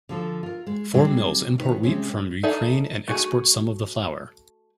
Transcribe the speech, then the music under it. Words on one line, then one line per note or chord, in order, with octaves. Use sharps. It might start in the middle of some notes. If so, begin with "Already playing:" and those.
Flour mills import wheat from Ukraine and export some of the flour.
D3 F3 A4
F4 A#4
G#3
F#3 G3 C4 D#4 G4 G#4
D#3 B4 C#5
C3 G#3 C4 C#4
D#4 G#4 A4 D5 E5
A3 F#4 G#4